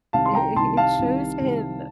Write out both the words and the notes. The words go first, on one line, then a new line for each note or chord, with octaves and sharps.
it it shows him
C2 C3 D#3 F5 A5
C6
G5 A#5
C2 C3 D#3 A5 C6
F5 A5
C2 C3 D#3
C2 C3 D#3